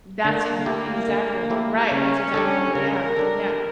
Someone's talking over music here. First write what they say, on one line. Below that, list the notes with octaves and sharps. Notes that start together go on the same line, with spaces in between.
That's ex exactly right, that's exactly what I yeah, yeah.
D3 A#3
A3 E4 G4
D3
A3 E4 G4
C#3 C#4
G3 D4 A4
C#3 A#4
G3 D4 A4